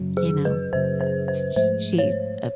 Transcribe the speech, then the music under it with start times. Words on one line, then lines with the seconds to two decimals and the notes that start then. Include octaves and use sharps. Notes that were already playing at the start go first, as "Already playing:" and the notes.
you know, uh, sh sh she a
Already playing: F#2 C#3 F#3
0.17 G#4
0.45 B4
0.73 F#2 C#3 F#3 C5
1.01 C5
1.28 C5
1.56 G#2 F3 A3 C5
1.98 C#5